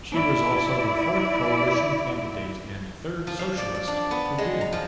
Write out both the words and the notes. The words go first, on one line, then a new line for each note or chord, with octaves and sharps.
She was also the fourth Coalition candidate and third Socialist to win.
E4 D5
F3
F5
D5
D5
D4
B3
G#3
A#5
F3